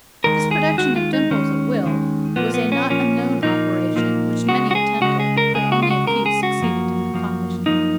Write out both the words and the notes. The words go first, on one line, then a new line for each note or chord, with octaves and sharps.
This production of dimples at will was a not unknown operation, which many attempted, but only a few succeeded in accomplishing.
D#2 D#3 G#3 A#4
G#4
D#2 D#3 G#3 F#4
F4
D#4
D#2 D#3 G#3 C#4
D#2 D#3 G#3
A#2 F3 A#3 B3
B3
C#4
A#2 F3 A#3 C#4
A#2 F3 A#3 D#4
A#2 F3 A#3
C#2 C#3 G#3 F#4
F#4
G#4
C#2 C#3 G#3 F#4
G#4
A#4
C#2 C#3 G#3 G#4
F#4
F4
F#4
C#2 C#3 G#3 A#4
G#4
F#4
F#2 F3 A#3
F#2 F3 A#3
F#2 F3 A#3 D#4